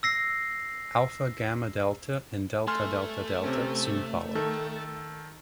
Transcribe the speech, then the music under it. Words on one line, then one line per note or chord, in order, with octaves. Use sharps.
Alpha Gamma Delta and Delta Delta Delta soon followed.
E6 A#6 C7
A3 G#5 C6 F6
C3 C4 C#4
D#3 A4